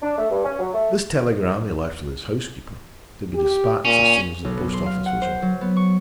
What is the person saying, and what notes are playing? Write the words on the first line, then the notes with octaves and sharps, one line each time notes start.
This telegram he left with his housekeeper--to be dispatched as soon as the post-office was open.
D4
A3
G2
C#4
F#3
A3
G4
A#2 C#4
B1
B3
C6
F5
F#5
C5
F#3
B3
C#6